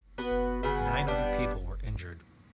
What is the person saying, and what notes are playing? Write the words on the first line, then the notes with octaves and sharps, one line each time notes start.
Nine other people were injured.
B3 F#4 B4
C#3 F#3 B3
G3 B3 D4